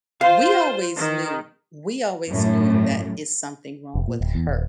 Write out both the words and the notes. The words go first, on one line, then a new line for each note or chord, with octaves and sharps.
we always knew we always knew that it's something wrong with her,
F4 C5 F5
D#3
F#2 A2
F1
A#2
D1
E2
D#1